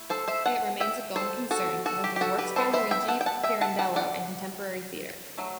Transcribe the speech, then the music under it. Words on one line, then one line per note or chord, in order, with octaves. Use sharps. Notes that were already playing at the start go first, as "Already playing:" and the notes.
It remains a going concern, presenting works by Luigi Pirandello and contemporary theater.
Already playing: A3 E4
A4 C5
C5 E5
F#5 A5
E5 G5
A4 C5
F#4 A4
F#4 A4
G4
G4
F#4 A4
G4 B4
E3 G3 B3 A4 C5
C5 E5
E5 G5
F#5 A5
G5
F#5 A5
E5 G5
F#5 A5
F#5 A5
D5 F#5
F#3 A3